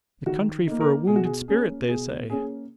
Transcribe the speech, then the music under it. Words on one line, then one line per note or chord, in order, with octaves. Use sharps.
The country for a wounded spirit, they say.'
D#3 F#4
A#3 D#4
A#4
B2 G#4
F#4
G#4
A#3 C#4 G#4
B2 G#4
A#3 C#4 G#4